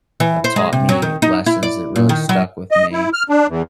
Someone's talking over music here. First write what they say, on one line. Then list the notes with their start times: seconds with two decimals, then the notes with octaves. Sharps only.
have taught me lessons that really stuck with me,
0.20 E3
0.44 C5
0.56 G#3
0.73 C3
0.89 F#3
1.02 D#3
1.22 D#4
1.46 E4
1.63 D5
1.96 A#2
2.09 D#3
2.29 F#3
2.71 D#5
2.92 E4
3.13 F6
3.29 D4
3.48 E2